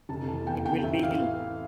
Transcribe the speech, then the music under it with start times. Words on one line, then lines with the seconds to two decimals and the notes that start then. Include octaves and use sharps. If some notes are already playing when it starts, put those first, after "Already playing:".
It will be ill.
0.09 F1 A5
0.28 E3 A5
0.47 E2 G5
0.65 F1 G5
0.84 A1 E5
1.02 E3 F5